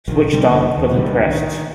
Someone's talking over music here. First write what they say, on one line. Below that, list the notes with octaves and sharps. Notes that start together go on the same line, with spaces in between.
Switch down, button pressed.
A#1 D#3
B2 D3 G3 C4
F#1 D3 A#3
D#2
C2 D3 D#3 G3
D#3